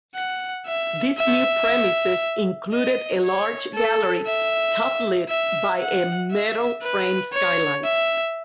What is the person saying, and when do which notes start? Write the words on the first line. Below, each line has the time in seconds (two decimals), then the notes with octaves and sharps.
These new premises included a large gallery top-lit by a metal framed skylight.
0.16 F#5
0.67 E5
1.18 E5
2.72 D#5
3.24 C#5
3.75 A4
4.26 E5
5.29 E5
5.79 F#5
6.31 E5
6.83 B4
7.33 C#5
7.84 E5